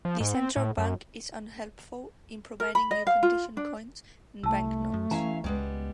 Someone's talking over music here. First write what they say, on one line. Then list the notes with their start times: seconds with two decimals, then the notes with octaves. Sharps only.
The Central Bank is unhelpful in providing new condition coins and banknotes.
0.05 F3
0.20 G#2
0.34 C4
0.57 A2
0.78 F#2
2.60 A#4
2.75 B5
2.91 D#5
3.07 F5
3.23 F4
3.57 D4
4.43 C2 A3 A5 E6
4.94 F#2
5.11 E3 C#4 E5 F5 A#5
5.44 C#2 G3 G#3 B3